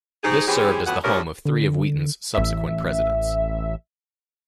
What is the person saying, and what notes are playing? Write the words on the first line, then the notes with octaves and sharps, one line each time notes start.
This served as the home of three of Wheaton's subsequent presidents.
G#2 D#4 G4 G#4
E3 C4 C#4 G4 G#4
F2 A2 E3 B3 F#4 F#5
G2 F3 A3 C#4 A#4
D3
A1 E5